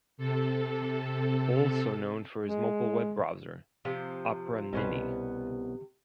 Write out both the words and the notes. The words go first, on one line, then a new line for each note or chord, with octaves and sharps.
Also known for mobile web browser Opera Mini.
C3 A4
G#3
C3 F3
C2 B2 B3 C#4 B4 C5